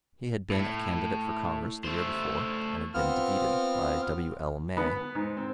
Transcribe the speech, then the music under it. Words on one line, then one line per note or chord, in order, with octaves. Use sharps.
He had been a candidate for Congress the year before, and had been defeated by W. L. May.
A2
A3 C5
B3 C4 F4 F6
B3
G#2
C4